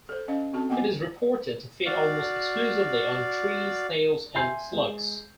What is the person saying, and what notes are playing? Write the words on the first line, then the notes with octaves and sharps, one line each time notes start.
It is reported to feed almost exclusively on tree snails and slugs.
A4 C5
C#4 D#5 F5
C4 F#4 A4 A5
A#3 B3 D#5 G5 G#5 D6
F#4 D5 F5
E5 G5 G#5 C6 G6 C7
G#3